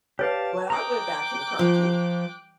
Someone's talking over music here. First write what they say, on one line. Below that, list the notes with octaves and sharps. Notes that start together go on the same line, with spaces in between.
but I went back to the cartoon
G4 B4 C#5 D5 F5 A5
G5 A#5 D6 D#6 F#6
F3